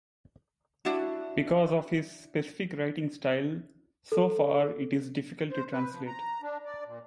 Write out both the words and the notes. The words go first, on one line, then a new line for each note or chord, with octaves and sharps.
Because of his specific writing style, so far, it is difficult to translate.
D4 E4 F#4
A4
C5
B4
F3
A#5
D4
D5
A#2